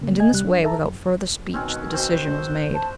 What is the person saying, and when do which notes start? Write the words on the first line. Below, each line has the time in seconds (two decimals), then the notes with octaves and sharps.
And in this way, without further speech, the decision was made.
0.01 C#3 A#3
0.20 D#5 G#5 G#6
0.32 C#2 C3 G3 F#6
0.45 F#3 D4
0.63 A4 E5 A5 A#5
0.84 F#2
1.54 B2 D#3 C4 C#4 F#5
1.93 C4 F#4 C5
2.75 A5